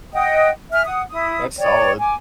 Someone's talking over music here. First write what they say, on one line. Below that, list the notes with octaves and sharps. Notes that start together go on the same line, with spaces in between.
that's solid.
D#5 F#5 G5 D#6
E5 G#5 F6
F#5 D#6
E4 D#6
C#5 D5 G5
G#5 D6